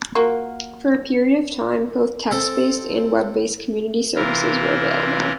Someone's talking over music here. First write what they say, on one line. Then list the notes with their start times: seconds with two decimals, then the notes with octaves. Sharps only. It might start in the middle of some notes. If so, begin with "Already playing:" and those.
For a period of time, both text-based and web-based community services were available.
0.15 A#3 F4 F#4
2.31 C4 A4
4.15 C3 E3 E4 F4 A#4